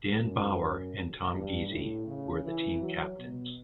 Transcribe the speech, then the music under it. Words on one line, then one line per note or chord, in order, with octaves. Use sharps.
Dan Bauer and Tom Gizzi were the team captains.
F#2
F#2
G2
A2
C#3
E3
F#3
B2